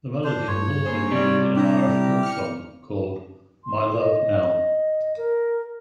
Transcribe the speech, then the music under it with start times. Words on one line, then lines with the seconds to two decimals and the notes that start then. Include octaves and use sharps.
The melody was also used in an Irish folk song called "My Love Nell".
0.24 D4 C5
0.48 G2 C#5
0.85 A#3 G#4 C5
1.12 C3 G3 D5
1.56 D4 E4 G4 A#5
2.23 F6 C#7
3.65 C6
3.99 D#5
5.17 A#4